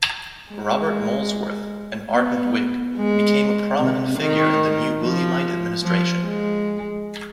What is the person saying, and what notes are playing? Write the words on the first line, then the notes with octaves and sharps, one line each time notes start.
Robert Molesworth, an ardent Whig, became a prominent figure in the new Williamite administration.
G#3
B3
G#3
C3
D#3
F3
F3
G#3